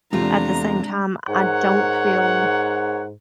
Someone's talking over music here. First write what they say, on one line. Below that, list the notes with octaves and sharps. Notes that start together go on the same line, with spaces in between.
at the same time, I don't feel
E2 C3 G#3 A3 D4 F4 A#5
G#2 A#4 C#5 F#5